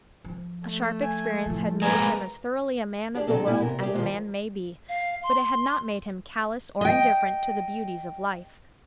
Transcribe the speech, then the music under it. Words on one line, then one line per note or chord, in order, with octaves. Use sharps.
A sharp experience had made him as thoroughly a man of the world as a man may be; but it had not made him callous or indifferent to the beauties of life.
F3
A3
G#5
A2 F3
G#3 A#3 B4 G#5 A#5
D4 G4 G#4 D5
D3 F#3 C4 C#4 A4 D#5
A2 B3 E4 E5 G#5
E2 C3 A#4
G4 G#4 C5 D5 E5
D#3 F3 F#3 A3 F4 C5
F5
C6
D#5 G5